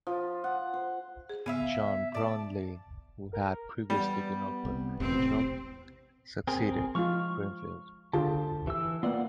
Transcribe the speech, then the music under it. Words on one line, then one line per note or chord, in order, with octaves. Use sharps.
John Brownlee, who had previously been offered the job, succeeded Greenfield.
F3
F#5
C5
G#4
G#2 C#3 B3 E5 F5 G#5
D5 A5
A#4
G3 B3
C2
E1 A1 C3 C4
C4 G#4 A#4
F3 G#3 F4 C#6 F6
D3 F4 G4 G#4 A5
E3 E6
A#3 B3 F4 D5 F#5